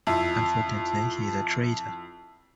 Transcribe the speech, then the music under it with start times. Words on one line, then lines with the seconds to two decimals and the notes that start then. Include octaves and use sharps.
Unfortunately, he is a traitor.
0.07 F2 E4